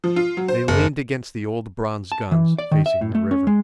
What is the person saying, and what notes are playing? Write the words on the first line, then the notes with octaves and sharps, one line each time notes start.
They leaned against the old bronze guns, facing the river.
F3
F4
F#3
C5
F#1
A5
E3
D5
D#3
E5
A2
A3
C#4
G#3